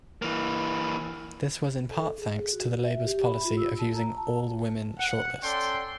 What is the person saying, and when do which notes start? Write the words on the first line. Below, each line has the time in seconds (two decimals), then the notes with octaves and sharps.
This was in part thanks to Labour's policy of using all-women shortlists.
0.22 E3 A#3
1.91 A4
2.18 G#4
2.53 F#4
2.85 E5
3.06 G4
3.24 B5
3.45 F4
3.57 E6
3.79 A5
3.95 A#5
4.17 A5
4.98 F#5
5.43 C#4 A4 D5 G5 C6